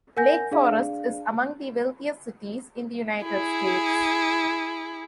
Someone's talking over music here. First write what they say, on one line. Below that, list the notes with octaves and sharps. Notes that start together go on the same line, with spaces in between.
Lake Forest is among the wealthiest cities in the United States.
A#4 F#5 G#5 G6 A#6
D4 G#4 D5 F5
E4 G#4